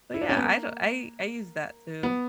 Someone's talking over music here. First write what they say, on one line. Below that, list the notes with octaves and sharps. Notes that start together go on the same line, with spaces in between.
But, yeah, I d I I used that too.
E4
D4
C#4
B3
A#3
B3